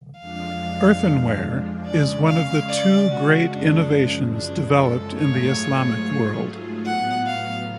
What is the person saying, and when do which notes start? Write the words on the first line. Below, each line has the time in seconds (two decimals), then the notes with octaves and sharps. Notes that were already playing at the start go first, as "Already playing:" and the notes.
Earthenware is one of the two great innovations developed in the Islamic world.
0.19 F2 F3 G#3 D4 F4 F5
1.86 C#3 G#3 C#4 D5
2.28 F5
2.69 D5
3.10 F#4
3.51 F#2 C#3 F3 G#3 D4
4.35 D4
4.77 A4
5.18 G#2 F#3 A3 F4 G#4 C#5
6.85 A2 F#3 B3 F#5
7.26 F5